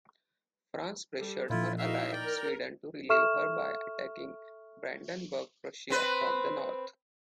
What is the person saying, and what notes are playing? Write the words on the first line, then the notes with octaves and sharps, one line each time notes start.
France pressured her ally Sweden to relieve her by attacking Brandenburg-Prussia from the north.
G3 A4
A#2 D3 F3 E4 F4
D#4 E4 F#4 E5 F5
A#4 D5 G5
A4 E5 C#6 F6 E7
C4 B4